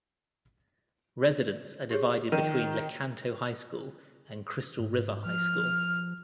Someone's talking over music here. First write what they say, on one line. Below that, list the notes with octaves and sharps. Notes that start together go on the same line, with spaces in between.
Residents are divided between Lecanto High School and Crystal River High School.
G4 G#4 C#5
D#3 D#7
G#2
F3 F6